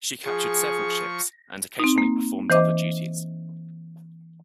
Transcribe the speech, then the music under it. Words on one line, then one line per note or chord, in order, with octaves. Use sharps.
She captured several ships, and occasionally performed other duties.
F3 G#4 C#6
C4 D#4
A#3
E3 C5 D#5 D6